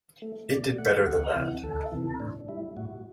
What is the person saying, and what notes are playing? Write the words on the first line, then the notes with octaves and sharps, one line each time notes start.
It did better than that.
A3
B2 D5
A3 F#5
D2 F#5
C3 E3
D2 A4
C3 E3
A2 D4
G3 E4
A2 F#4